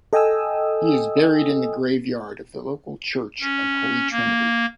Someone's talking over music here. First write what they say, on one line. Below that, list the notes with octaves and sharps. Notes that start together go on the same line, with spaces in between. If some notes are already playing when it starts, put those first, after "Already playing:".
He is buried in the graveyard of the local church of Holy Trinity.
A4 D#5 G5 G#5 D#6 E6
C#4
A#3